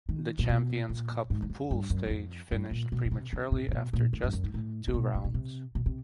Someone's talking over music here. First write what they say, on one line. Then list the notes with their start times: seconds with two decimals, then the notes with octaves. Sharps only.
The Champions Cup pool stage finished prematurely after just two rounds.
0.09 D#3
0.39 A#2
0.49 B2
0.89 A#2
1.30 G#2
1.42 E2
1.50 F2
1.71 G2
1.90 F#2
2.06 F#2
2.10 F2
2.52 G2
2.71 A#2
2.92 B2
3.05 B2
3.11 C3
3.33 C#3
3.52 C3
3.68 C3
3.72 B2
3.93 A#2
4.13 A2
4.23 G2
4.33 F#2
4.44 G#2
4.54 A2
4.87 A#2
4.94 B2
5.15 A#2
5.24 B2
5.34 C3
5.75 B2
5.86 C3